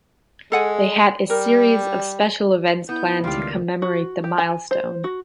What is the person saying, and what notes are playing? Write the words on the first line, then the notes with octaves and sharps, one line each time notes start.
They had a series of special events planned to commemorate the milestone.
G#3 A4 F#5 G#5
G3 A#4
B3 E4 G6
C#2 D#3 G3 A3 F4 G4
F#4
G4
G#5
C5
F#4